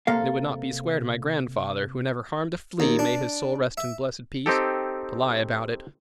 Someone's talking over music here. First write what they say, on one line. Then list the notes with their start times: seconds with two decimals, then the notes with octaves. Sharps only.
And it would not be square to my grandfather, —who never harmed a flea, may his soul rest in blessed peace!—to lie about it.
0.07 C3 A#3 A4 F5
2.80 D#2
2.99 D4
3.78 E5
4.46 C4 D#4 G4 A4